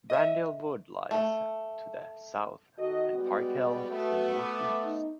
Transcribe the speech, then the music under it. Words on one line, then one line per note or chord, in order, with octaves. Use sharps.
Brandhill Wood lies to the south and Park Hill to the northeast.
D#5 E5
A3
D#3 F#4 A4 D#5
G3 G#3 B3
A3 B3
D6
D#4